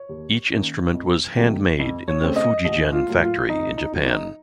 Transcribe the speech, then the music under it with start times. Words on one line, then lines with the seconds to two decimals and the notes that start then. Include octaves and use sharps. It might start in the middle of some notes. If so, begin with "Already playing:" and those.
Each instrument was handmade in the FujiGen factory in Japan.
Already playing: C#5
0.09 D#2
0.52 D#3 A#3 C#4
0.94 F2
1.36 C3 D#3 F#3 A3
1.79 F2
2.08 C#5
2.21 C#3 A3 C4
2.36 D#5
2.65 A1 D#5
2.92 F4
3.08 A2 F#3 A#3
3.21 F4
3.49 F2 D#4
3.78 D#4
3.92 C#3 F#3 A#3 D#4
4.06 D#4